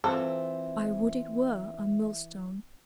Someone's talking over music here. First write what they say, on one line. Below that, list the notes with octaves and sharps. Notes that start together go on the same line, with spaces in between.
I would it were A millstone!
E3 C4 F4 A4 C5 E5